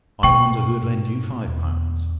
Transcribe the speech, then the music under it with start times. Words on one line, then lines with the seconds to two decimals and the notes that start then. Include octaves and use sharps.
I wonder who'd lend you five pounds?
0.23 B2 G5 C#6
0.82 G#2
1.48 E2